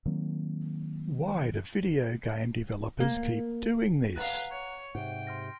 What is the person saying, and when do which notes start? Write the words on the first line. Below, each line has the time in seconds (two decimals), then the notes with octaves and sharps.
Why do video game developers keep doing this?
0.06 D#3 F#3 A#3 C4
3.00 A#3
4.16 B4 F5 F#5 A#5 F#6
4.51 C#5
4.95 G#2 C3 G4 F#5 G5
5.27 C6 F6 A#6